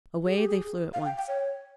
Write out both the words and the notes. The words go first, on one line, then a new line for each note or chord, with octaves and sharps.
Away they flew at once.
G#4
G4
G#4
F5
G5
G5
C#5